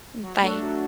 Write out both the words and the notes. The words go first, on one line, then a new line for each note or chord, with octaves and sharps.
Mm, bye.
F#3
A3 D4 F#4 A4
F#3